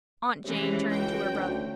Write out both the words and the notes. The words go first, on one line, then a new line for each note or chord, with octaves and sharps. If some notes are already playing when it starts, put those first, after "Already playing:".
Aunt Jane turned to her brother.
C3 E3 G#3 C#4 C#5
C#2 F#4 G5
D2